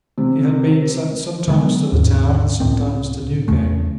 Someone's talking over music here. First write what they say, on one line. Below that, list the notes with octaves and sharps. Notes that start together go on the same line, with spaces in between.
He had been sent sometimes to the Tower, and sometimes to Newgate.
C3
D3 F#3 G#3 B3
D#2 G#2
C#2 A2 C4
E2 C#3 A3